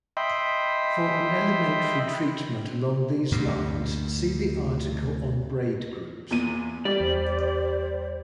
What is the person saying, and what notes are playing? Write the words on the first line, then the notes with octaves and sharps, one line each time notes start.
For an elementary treatment along these lines, see the article on braid groups.
D#5 E5 G5 B5 C6
D2 G2 A#2
E2 A#2 D#7
G3 D5
E2 C5